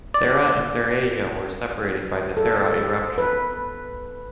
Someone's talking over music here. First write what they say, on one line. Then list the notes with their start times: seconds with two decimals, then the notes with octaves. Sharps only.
Thera and Therasia were separated by the Thera eruption.
0.14 D5
2.37 A4
3.18 B4